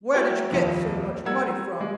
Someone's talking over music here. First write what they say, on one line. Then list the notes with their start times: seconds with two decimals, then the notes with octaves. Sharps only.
'Where did you get so much money from?'
0.14 E4 F#4 A#4 C#5 G5
0.51 D#1 A#1 F2
1.25 G3 A#4 F#5 E6 G#6
1.80 G3 G#3